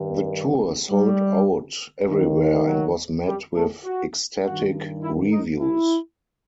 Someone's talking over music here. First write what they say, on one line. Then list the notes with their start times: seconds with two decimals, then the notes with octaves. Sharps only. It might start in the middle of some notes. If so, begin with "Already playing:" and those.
The tour sold out everywhere and was met with ecstatic reviews.
Already playing: G2 D#3
0.90 G3
2.08 D#2 D#3
2.67 F#3
3.26 G3
3.56 A3
3.85 F#4
4.43 G2 D#3 F#4
5.02 E4
5.32 D#4
5.61 E4